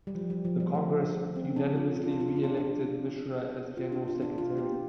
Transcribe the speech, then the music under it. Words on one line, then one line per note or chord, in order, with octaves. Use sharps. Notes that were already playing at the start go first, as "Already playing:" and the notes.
The congress unanimously re-elected Mishra as General Secretary.
G3
F3
G3
F3
G3
A3
C4
D4
F4
D4
F4
D4
F4
D4
F4
D4
D4
F4
D4
F4
D4
F4
G4